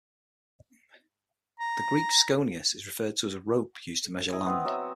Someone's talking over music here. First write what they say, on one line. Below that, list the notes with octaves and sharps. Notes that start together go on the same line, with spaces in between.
The Greek schoenus is referred to as a rope used to measure land.
A#5
E4 D#5 G#5
B3 C4
F#3 D#5 E5 D#6